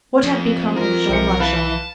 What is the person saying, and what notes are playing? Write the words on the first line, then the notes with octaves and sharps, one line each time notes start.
What had become of Jean Valjean?
F2
F3 A#4
B1 C3 C5 C#7
E3 B4 F5 A5